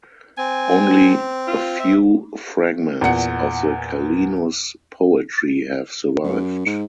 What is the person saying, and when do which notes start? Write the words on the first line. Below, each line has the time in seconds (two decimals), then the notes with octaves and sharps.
Only a few fragments of the Callinus' poetry have survived.
0.38 C4 G#5
1.47 F4
1.80 E5
3.01 E2 A#2 F#5 C#7
6.24 F#2
6.66 G#2